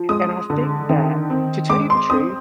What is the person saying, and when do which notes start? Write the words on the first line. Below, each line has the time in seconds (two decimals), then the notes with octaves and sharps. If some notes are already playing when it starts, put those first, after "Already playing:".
and I think that to tell you the truth,
Already playing: F3
0.09 G#3 D#6
0.50 D3
0.89 D#3
1.30 C4
1.69 G#3 D6
1.90 C6
2.10 C4 D#6